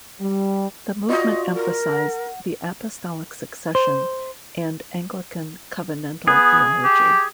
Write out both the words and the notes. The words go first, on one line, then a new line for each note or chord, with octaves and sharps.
The movement emphasized the Apostolic Succession and Anglican Covenantal Theology.
G3
F4 F#4 D5 D#5
A#4
F#5
C5
B3 G#4
G4